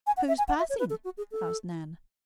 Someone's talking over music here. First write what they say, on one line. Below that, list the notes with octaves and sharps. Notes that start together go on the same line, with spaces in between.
"Who is passing?" asked Nan.
G#5
F#5
E5
G#5
F#5
E5
C#5
B4
A4
F#4
G#4
A4